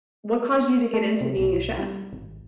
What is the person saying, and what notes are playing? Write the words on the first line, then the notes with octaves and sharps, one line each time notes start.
what caused you to get into being a chef?
A3
C3
B1
G3
G#1